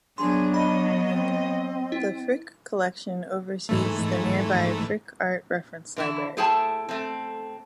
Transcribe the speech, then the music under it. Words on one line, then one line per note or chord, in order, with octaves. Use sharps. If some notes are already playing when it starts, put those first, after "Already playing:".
The Frick Collection oversees the nearby Frick Art Reference Library.
F#3 B3 D4 G#4 C6
D#5 B5
C4
E4
G#2 E3 A3
D3 E3 E4
A3 E4 G#4 C5 G5 A5
A3 C4